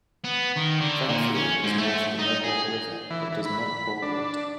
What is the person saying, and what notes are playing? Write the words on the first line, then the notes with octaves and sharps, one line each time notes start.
Fairfield is north of the Mohawk River, but does not border it.
B3
D#3
D3
A#2
C#4
G#2
A3
D#4
G#4
E3
E3
B5
D4